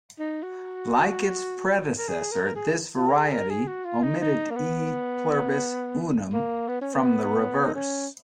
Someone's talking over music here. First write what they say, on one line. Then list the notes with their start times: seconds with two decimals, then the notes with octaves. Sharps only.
Like its predecessor, this variety omitted E Pluribus Unum from the reverse.
0.19 D#4
0.43 F#4
1.97 A#4
2.08 G#4
2.32 A#4
2.46 A#4
2.55 G#4
2.96 F4
3.08 A#4
3.14 G#4
3.32 A#4
3.50 G#4
3.67 F#4
3.85 F4
4.03 D#4
4.20 D#4
4.50 A#3
4.56 B3
6.33 A#3
6.68 B3
6.81 C#4
6.94 B3
7.65 D#4
7.75 C#4